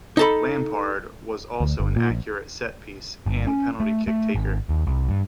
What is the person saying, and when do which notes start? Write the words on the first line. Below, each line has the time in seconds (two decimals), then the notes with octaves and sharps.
Lampard was also an accurate set-piece and penalty kick taker.
0.17 D#4 A4 B5
1.60 D2
1.80 G1
1.96 A#2
2.10 A#1
3.26 G1
3.47 C#4
3.80 A3
4.08 A3
4.35 G#1
4.69 D#2
4.87 C2
5.09 G2